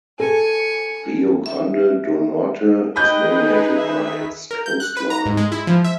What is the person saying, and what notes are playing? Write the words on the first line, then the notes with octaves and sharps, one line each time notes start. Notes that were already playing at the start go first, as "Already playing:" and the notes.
Rio Grande do Norte is dominated by its coastline.
A4 G#5 C#6
E5
D#4 G#4 B4 D#5 G5 B5 F#6 G6
D#3 E5 B6
A#4
G6
F#6
B4
A#5
G#2
G#3
E4
F3
E5